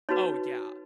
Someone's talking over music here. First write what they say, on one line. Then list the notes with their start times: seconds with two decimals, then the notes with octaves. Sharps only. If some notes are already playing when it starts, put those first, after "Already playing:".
Oh, yeah.
0.09 D#4 F#4 B4 C#5